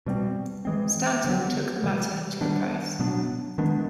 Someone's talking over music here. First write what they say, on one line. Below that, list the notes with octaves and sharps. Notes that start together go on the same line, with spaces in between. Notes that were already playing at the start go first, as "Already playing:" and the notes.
Stanton took the matter to the press.
B2 G3 C4
E3 G#3 C4
D3 F#3 B3
C3 E3 G3
D#3 G3 B3 D4
B2 F#3 B3 D4
D#3 G#3 B3 D4